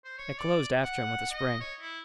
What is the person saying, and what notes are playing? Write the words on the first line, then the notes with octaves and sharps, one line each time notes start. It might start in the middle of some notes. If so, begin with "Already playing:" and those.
It closed after him with a spring.
C5
C#5
D5
F#5
D#5
C#5
E4